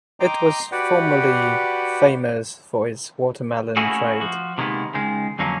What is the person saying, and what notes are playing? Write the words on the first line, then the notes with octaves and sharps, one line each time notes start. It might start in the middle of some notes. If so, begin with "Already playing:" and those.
It was formerly famous for its watermelon trade.
D#5 G5 A#5 C6 D6
F#4 G4 B4 D5 F#5 G5
A3 A#3 C#4 E4 F#4 G#4
F3 F#4
C3 D#3 G#3 A#3 B3
C#2 D#3 G#3
F2 D3 F#3 A#3 C#4